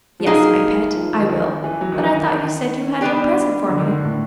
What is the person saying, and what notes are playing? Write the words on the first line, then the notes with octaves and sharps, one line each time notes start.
"Yes, my pet, I will; but I thought you said you had no present for me?"
F3
F#3 A#3 D#4 G#4
G3
F3
D#3
D#3
E3
E3
F#3
D#3
E3
D#3
G3 B3 D4 G4
D3
D#3
D3
A2